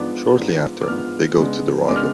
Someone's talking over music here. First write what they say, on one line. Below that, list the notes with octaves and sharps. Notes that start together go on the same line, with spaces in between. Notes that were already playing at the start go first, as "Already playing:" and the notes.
Shortly after, they go to Dorado.
Already playing: G#2 F3 B3 D4 D6
G#2 F3 B3 D4
D6
G#2 F3 B3 D4 F6
C#3 G#3 B3 D4
C#3 G#3 B3 D4 D6
F6